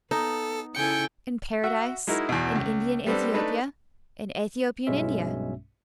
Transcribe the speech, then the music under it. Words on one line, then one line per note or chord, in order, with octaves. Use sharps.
In Paradise--in Indian Aethiopia--in Aethiopian India.
B3 D#4 A4
C#3 E4 A4 G5 G#5 C#7
F#4 E5 F#5
G#3 D#4 E4 F#4 A#4
E2 B2
C#2
G3 B3 C4 D4 A4
A3 D4 D#4 A4 B4
B1 G2 B2 G#3 C#4 E5